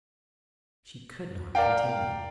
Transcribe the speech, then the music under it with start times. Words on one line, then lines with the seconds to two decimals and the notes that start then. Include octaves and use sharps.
She could not continue.
1.55 A#4 D5 F5 G5